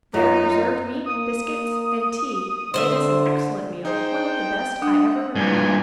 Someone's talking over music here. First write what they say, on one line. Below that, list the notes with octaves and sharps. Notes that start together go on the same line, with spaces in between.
There preserved meat, biscuit, and tea made us an excellent meal, one of the best I ever remember.
F#2 D#4 F4
A#3 D#6
D3 C5 D#5 E5
D#4 G#4 C5 G5
D4 F#5 D#6 F#6
G2 A#2 G#5